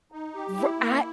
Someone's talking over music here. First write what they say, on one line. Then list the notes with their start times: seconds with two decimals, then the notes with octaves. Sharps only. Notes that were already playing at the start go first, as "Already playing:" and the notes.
r I
0.12 D#4
0.35 G4
0.57 E4
0.80 A#3